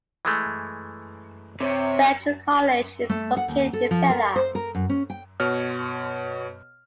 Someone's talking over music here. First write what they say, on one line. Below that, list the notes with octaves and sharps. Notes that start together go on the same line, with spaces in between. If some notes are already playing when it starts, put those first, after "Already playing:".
Central College is located in Pella.
E3 G#3 A3
C3 C#5
A3
F#5
D#2
A4
F3
A#4
C5
A#4
F#2
C#4
G5
B2 C#5 F6